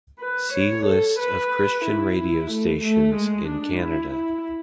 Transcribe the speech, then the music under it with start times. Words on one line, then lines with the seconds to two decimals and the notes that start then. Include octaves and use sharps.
See List of Christian radio stations in Canada.
0.20 B4
0.53 C#5
0.86 A4
1.18 B4
1.84 E4
2.17 E4
2.50 A3
2.83 A3
3.15 G#3
3.47 D4
3.80 E4
4.14 E4